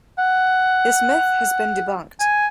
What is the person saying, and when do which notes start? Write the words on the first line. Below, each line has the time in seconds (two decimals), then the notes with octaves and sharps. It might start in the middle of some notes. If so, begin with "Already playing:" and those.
This myth has been debunked.
0.19 F#5
2.20 G#5